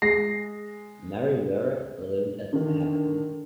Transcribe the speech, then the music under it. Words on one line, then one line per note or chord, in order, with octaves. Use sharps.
Mary Vere lived at Hackney.
G#3 G#4 A#6 C7
D3 D#3